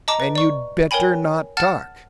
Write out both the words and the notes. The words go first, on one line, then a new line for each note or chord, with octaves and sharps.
And you'd better not talk.
D#5 A5 A#5 D6
B4
D5 C#6
A#4 C#5 G5 G#5 B5
F#5 A5 F6 A6 E7